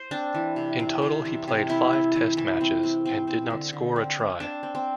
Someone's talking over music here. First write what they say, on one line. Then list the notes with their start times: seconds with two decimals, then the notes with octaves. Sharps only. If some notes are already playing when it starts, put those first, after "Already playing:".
In total he played five test matches and did not score a try.
Already playing: C5
0.11 C4 D4
0.35 E3
0.56 C3
0.79 C4
1.02 C3
1.25 E3
1.48 C3
1.69 C4 E4
1.93 C4
2.16 E3
2.37 E3
2.61 C4
2.83 C4
3.06 C4
3.27 C4
3.50 D3
3.73 D3
3.96 C4
4.19 C4
4.40 C4 D4
4.63 C4
4.75 C4